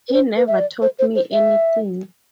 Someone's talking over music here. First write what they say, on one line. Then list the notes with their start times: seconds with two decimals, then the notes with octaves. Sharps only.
He never taught me anything.
0.09 B4
0.13 C5
0.37 B4
0.48 E5
0.59 D5
0.82 C5
0.99 C5
1.15 C5
1.32 E5